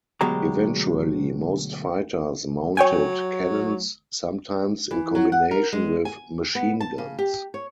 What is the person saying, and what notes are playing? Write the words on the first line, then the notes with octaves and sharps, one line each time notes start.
Eventually, most fighters mounted cannons, sometimes in combination with machine guns.
D2 B2 F#3 G#3 G4 A#5
F#3 C#5 G5 G#5
E3
F#3
F#5
A#4
G#3
G#5
B3
A5
C#3
G4
C#5